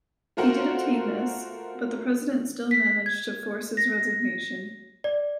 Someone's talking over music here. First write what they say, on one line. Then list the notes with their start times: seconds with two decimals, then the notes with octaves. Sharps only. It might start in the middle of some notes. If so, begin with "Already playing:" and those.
He did obtain this, but the President still managed to force his resignation.
0.37 A3 F4 F#4 A#4 C5 F#5
2.71 B6
3.06 G#6
3.77 A#6
5.04 D5